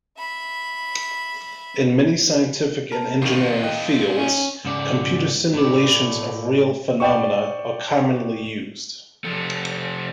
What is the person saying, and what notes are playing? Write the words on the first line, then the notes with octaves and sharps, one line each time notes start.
In many scientific and engineering fields, computer simulations of real phenomena are commonly used.
E5 B5
A#4 A5 A#5
A2 D#3 D#4 F4
D#5 G5 F#6
C#4
G#2 C#3 F#4 D5
A2 D5
D5 G5 C#6
F3 A3